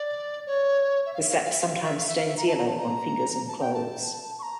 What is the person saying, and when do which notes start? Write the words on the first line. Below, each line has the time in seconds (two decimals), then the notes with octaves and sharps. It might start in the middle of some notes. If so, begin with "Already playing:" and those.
The sap sometimes stains yellow on fingers and clothes.
Already playing: D5
0.47 C#5
1.06 E5
1.14 F5
1.22 E5
1.30 F5
1.37 E5
1.44 F5
1.52 E5
1.60 F5
1.67 E5
1.76 F5
1.84 E5
1.98 F5
2.07 E5
2.16 F5
2.28 E5
2.37 A#5
2.47 A5
2.58 A#5
2.67 A5
2.78 A#5
3.48 A5
3.60 G5
3.74 A5
4.39 C#6
4.43 A#5